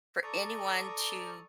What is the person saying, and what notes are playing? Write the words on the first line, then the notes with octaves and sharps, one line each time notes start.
for anyone to
A4 D5 A#5 C#6 D#6